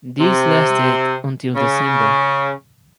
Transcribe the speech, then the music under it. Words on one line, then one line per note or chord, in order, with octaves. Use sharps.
These lasted until December.
C3 C4
C#3 C#4